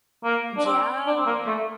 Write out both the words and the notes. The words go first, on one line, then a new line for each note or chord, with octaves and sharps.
Yeah, yeah.
A#3
D4
C4
D4
C4
A#3
A3